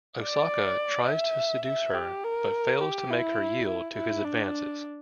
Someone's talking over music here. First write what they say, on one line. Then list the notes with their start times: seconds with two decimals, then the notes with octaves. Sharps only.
Osaka tries to seduce her but fails to make her yield to his advances.
0.22 D5
1.08 E5
1.66 E5
1.94 G4
2.24 A#4
2.81 G4
3.10 E4
3.67 E4
3.96 E4
4.24 D4